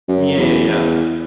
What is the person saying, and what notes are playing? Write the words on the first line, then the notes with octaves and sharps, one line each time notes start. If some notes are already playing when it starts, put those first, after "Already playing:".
Yeah, yeah, yeah.
F#2
E2
E2